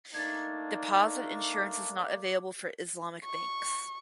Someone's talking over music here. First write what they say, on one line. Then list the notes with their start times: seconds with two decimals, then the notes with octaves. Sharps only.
Deposit insurance is not available for Islamic banks.
0.14 A3 A#3 D4 D#4 G#6 A6
1.53 D6
3.25 C#6